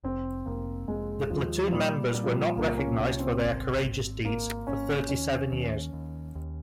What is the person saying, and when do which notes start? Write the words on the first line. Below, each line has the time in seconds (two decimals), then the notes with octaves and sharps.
The platoon members were not recognized for their courageous deeds for thirty-seven years.
0.04 F1 C4
0.46 F1 A#3
0.88 F1 G#3
1.30 D#2 F3
1.68 F3
1.73 A#2 G3
2.14 A#2 G3
2.24 F3
2.33 G3
2.57 C2 A#3
2.78 C#4
2.98 C2 C#4
3.19 C4
3.41 G#1
3.83 G#1
4.25 G#1 A#3
4.67 G#1 C#4
5.09 D#2 C#4
5.52 D#2
5.93 D#2
6.35 D#2